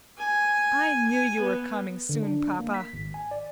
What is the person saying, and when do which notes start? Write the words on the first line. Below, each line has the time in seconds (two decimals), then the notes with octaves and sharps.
"I knew you were coming soon, papa."
0.18 G#5
1.07 G#5
1.40 B3
2.09 D3
2.23 D4
2.59 A#3
2.74 B6
2.93 G#1
3.14 G#5
3.31 D5